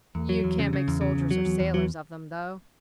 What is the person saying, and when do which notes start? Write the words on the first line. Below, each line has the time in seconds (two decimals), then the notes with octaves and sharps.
"You can't make soldiers or sailors of them, though."
0.15 E2
0.29 F#3
0.44 E2
0.59 C#3
0.73 C#3
0.88 E2
1.01 C#3
1.15 E2
1.31 F#3
1.45 E2
1.60 E2
1.74 F#3